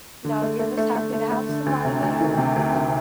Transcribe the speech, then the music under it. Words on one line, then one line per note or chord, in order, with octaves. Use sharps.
No, you're just happy to have somebody there.
D3
A3
A3
A3
A3
A3
A3
D3
D2
C3
D2
D#3
C3
D2
D2